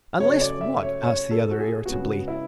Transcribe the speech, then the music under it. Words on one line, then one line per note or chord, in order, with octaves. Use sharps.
"Unless what?" asked the other, irritably.
C#3 F#3 A3 C#5
D5
E5
C#5
C#5
A4
F#4
G#4
C#3 G#3 B3 F#4
E4